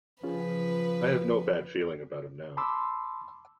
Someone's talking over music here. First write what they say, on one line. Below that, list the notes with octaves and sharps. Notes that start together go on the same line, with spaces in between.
I have no bad feeling about him now.
C#3 F3 C#4 F4 G#4 B4
A5 B5 C6 D6 E6